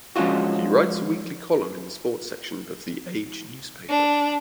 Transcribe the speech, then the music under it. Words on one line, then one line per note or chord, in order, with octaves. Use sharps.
He writes a weekly column in the sport section of "The Age" newspaper.
F3 G#3 C#4 D4 F4 F#4
D4